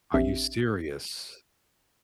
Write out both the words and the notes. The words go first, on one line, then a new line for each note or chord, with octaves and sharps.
Are you serious?
A#1 C4 D4 G4 E5